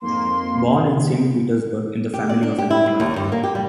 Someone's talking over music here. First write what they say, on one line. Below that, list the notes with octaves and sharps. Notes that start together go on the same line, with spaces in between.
Born in Saint Petersburg in the family of an employee.
F2 G#2 A#3 C6
G4
D5
D4
G4
E4
G3
D#2
G2
A#3
G4
G3